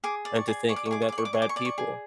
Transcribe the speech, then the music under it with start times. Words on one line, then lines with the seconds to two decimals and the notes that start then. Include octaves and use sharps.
into thinking that they're bad people.
0.04 G#4 D6
0.25 D5
0.36 C#6
0.48 G#4
0.69 D5 C#6
0.76 D6
0.86 C#6
0.91 G#4 D6
1.02 C#6
1.09 D6
1.12 D5
1.18 C#6
1.25 D6
1.33 G#4 C#6
1.42 D6
1.49 C#6
1.56 D5 D6
1.65 C#6
1.78 G#4